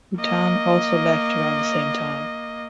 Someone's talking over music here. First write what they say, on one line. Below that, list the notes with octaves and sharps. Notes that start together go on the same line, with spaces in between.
Rutan also left around the same time.
A#3 D#5